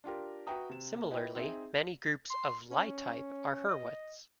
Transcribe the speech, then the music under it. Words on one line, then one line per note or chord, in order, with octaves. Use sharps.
Similarly, many groups of Lie type are Hurwitz.
D4 F4 G4 A#4
F#4 B4 E5 G5 A#5 D#6
C3 E7
A#3
E4 B4 D#5 G5
C4 D#4 G#4 E5
C6
C#4
D#5